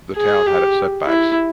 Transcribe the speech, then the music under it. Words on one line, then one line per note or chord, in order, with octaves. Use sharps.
The town had its setbacks.
G#4
G4
E4